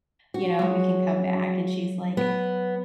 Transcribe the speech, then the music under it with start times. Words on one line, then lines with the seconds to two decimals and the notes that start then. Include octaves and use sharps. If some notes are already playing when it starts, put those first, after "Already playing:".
you know, we can come back." And she's like,
0.34 F#4
0.59 F#3 G#3
2.17 B3